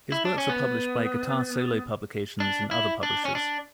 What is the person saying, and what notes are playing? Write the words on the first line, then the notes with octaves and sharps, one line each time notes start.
His works are published by Guitar Solo Publications and other publishers.
E4
D4
C#4
B3
D4
E4
D4
C#4
D4